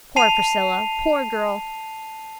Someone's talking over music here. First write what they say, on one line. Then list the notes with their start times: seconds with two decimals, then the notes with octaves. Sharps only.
Poor Priscilla!--poor girl!
0.16 A5 C7 D#7 F7